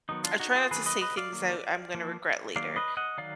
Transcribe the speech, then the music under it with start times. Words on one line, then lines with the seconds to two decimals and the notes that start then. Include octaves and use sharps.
I try not to say things that I'm gonna regret later.
0.09 D#3 F#3 B3 D#4
0.24 D4 F4
0.40 D#4 F#4
0.55 F4 G#4
0.71 D#3 F#3 A#3 G#4 B4
0.86 B4 D#5
1.01 B4 D#5
1.17 D5 F5
1.32 D#3 F#3 A#3
1.94 F3 A#3
2.56 D#3 F#3 A#3 D5 F5
2.76 B4 D#5
2.97 D#5 F#5
3.18 D#3 F#3 D5 F5